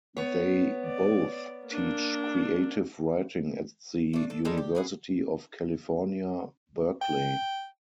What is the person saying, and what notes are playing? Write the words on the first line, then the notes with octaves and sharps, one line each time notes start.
They both teach creative writing at the University of California, Berkeley.
B3 C#5
D5
A#3 D4
A3 D4
A4
G3 G#3 A4 A#4
G4
A2 G#4 F#5
G5